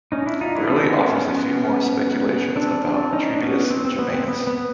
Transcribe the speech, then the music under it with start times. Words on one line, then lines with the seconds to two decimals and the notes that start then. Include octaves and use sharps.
Birley offers a few more speculations about Trebius Germanus.
0.12 C#4 D#4
0.26 D4 E4
0.41 D#4 F4
0.55 D4 E4
0.70 C4 D4
0.84 B3 C#4
1.12 B3 C#4
2.56 C4 D4
2.84 C4 D4
3.13 C#4 D#4
3.34 D4
3.42 B3 C#4
3.70 C4
3.85 C4
3.99 B3
4.14 C4
4.28 B3
4.47 B3